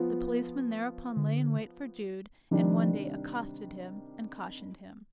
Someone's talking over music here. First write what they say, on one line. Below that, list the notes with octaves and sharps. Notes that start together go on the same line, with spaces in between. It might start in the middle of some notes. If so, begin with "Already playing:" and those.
The policeman thereupon lay in wait for Jude, and one day accosted him and cautioned him.
Already playing: F3 B3 F4
D3
C3 D#3 F3 G3 D4